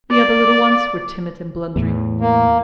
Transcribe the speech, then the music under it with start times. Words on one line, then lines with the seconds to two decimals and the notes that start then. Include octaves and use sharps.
The other little ones were timid and blundering.
0.11 D5
1.76 E2 A2
2.21 A#3